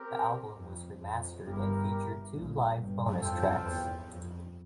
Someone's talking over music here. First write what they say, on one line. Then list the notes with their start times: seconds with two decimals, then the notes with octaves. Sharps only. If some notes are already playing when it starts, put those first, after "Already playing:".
The album was remastered and features two live bonus tracks.
Already playing: C4 G4 A#4
0.58 F2
1.01 F2
1.45 G1 G2 E4 G4 A#4
2.33 A#1 A#2
2.77 G1 G2
3.21 F2 F4 A4 C5 G5
3.65 E2
4.08 F2